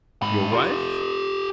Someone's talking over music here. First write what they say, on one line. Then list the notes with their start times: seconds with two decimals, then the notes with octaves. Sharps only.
"Your wife?"
0.22 G#2 B5
0.52 F4 G4